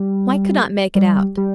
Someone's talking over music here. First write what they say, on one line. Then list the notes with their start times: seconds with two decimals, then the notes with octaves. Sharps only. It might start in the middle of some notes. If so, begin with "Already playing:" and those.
Mike could not make it out.
Already playing: G3
0.95 G3
1.37 G3